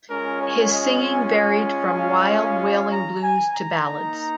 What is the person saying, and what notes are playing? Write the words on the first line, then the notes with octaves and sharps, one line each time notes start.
His singing varied from wild wailing blues to ballads.
G#3 C#4 F4 A#4
C#5
D#5
G#5
G#5
G#5
F5
F5
A#5
G#5
A#5
A#3 D#4